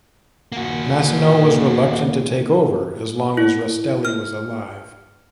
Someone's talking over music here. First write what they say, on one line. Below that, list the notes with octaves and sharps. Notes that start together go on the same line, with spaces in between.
Massino was reluctant to take over as long as Rastelli was alive.
D#2 A#2 A#3 F#4
E4
F6